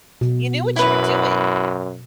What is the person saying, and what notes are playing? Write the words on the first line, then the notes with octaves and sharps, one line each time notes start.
you knew what you were doing.
B2
F#2 E4 B4